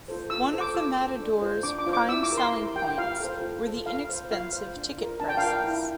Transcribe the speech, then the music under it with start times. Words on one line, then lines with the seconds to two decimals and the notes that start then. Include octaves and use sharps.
One of the Matadors' prime selling points were the inexpensive ticket prices.
0.08 F4 A4 C5
0.30 F4 E6
0.52 A4 C5
0.61 D6
0.75 F4 E6
0.97 A4 C5
1.20 D4
1.42 F4 C5
1.63 D4 D6
1.79 D6
1.86 F4 C5
1.93 D6
2.08 E4 E6
2.23 D6
2.30 G4 A#4
2.37 C6
2.52 E4
2.76 G4 A#4 G5
2.98 F4 F5
3.20 A4 C5
3.42 F4
3.65 A4 C5
3.86 F4 F5
4.09 C5
4.31 F4 F5
4.53 C5
4.76 D4
4.98 F4 A#4
5.20 D4 A5
5.28 G5
5.37 F5
5.42 F4 A#4 G5
5.64 E4